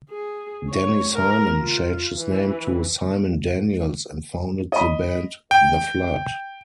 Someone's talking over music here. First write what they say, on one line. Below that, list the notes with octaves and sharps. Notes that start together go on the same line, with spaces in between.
Danny Simon changed his name to Simon Daniels and founded the band The Flood.
G#4
C#5
A#4
F4
E3
D#5 B5
G5